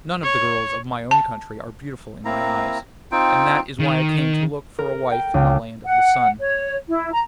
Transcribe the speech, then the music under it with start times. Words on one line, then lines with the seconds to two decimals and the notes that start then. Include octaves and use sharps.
'None of the girls of my own country are beautiful in my eyes, and that is why I came to look for a wife in the land of the sun.
0.24 C#5
1.11 A5
2.25 A#3 C4 E4 A#5
3.12 C4 D#4 F4 G5
3.79 D#3
4.79 A#4
5.11 G5
5.34 C#2
5.85 F#5
6.39 C#5
6.88 E4
7.12 A#5